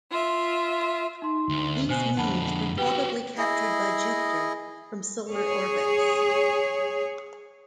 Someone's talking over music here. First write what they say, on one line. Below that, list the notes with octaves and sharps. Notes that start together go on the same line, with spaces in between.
These moons were probably captured by Jupiter from solar orbits.
F4 E5
D#4 C6
D2
B2 C5 G#5 F#6
F2 D3 F#5 A5 B5
F#4 G4 B4 G5
E4 G#4 D#5
G#4 C#5